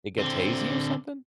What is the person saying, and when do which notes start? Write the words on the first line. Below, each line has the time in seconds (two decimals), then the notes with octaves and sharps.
It gets hazy or something?
0.19 D3 C4